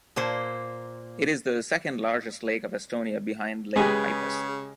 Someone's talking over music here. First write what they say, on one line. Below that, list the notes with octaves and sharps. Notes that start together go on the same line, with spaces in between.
It is the second largest lake of Estonia behind Lake Peipus.
A#2 A#3 C5
C#3 G#3 G4 G#4 B4 G#5